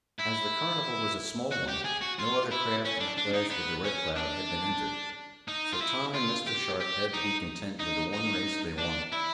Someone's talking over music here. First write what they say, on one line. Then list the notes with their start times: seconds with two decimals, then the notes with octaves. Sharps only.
As the carnival was a small one, no other craft in a class with the Red Cloud had been entered, so Tom and Mr. Sharp had to be content with the one race they won.
0.20 E4
1.52 F#4
1.69 G4
1.85 G#4
2.01 F#4
2.19 F4
2.51 E4
2.85 C#4
3.00 D4
3.17 D4
3.33 D#4
3.50 B3
3.84 C#4
4.16 D4
5.48 D#4
5.72 F4
5.81 E4
6.14 F4
6.47 G4
6.80 G4
7.13 D#4
7.79 D#4
8.13 D#4
8.78 D4
9.12 E4